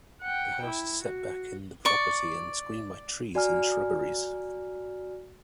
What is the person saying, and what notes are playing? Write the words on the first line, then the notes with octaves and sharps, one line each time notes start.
The house is set back in the property and screened by trees and shrubberies.
F#5 G5
E4
F#4
D5 C#6
F#4 D5 G#5 A#5 F6